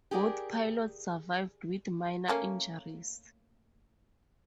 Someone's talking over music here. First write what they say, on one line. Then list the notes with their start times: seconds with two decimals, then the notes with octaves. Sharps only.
Both pilots survived with minor injuries.
0.11 G4 G#4 A#4 D5
2.28 A3 A#3 C#4